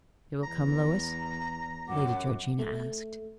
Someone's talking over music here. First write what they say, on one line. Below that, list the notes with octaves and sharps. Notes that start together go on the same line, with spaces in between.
'You will come, Lois?' Lady Georgina asked.
E2 A#5
F#2 F#5 D6
A3